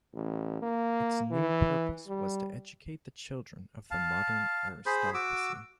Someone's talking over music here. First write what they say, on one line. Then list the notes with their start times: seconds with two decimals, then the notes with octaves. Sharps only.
Its new purpose was to educate the children of the modern aristocracy.
0.14 A1
0.62 A#3
1.31 E3
2.08 G3
3.91 F5 A5
4.86 G#4 C5 B5
5.14 F#4 D6 E6